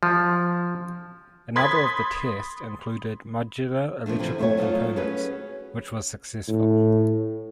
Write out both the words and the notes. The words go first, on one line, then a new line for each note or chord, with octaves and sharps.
Another of the tests included modular electrical components, which was successful.
F3
B5 C6 D#6 G#6 A6 B6
F3 G#3 A3 D4
C3 E3 F3
F2 A3 C#4 F#4 C#5
F#3 A3 B3 C4 D#4 F4
C#4 F#4 G#4 B4
A2